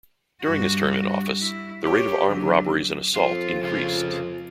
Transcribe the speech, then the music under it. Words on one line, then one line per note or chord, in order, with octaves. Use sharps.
During his term in office the rate of armed robberies and assault increased.
G2 F#4
E4
G4 C#5
D3 F#3
F2 F4
C#3 F4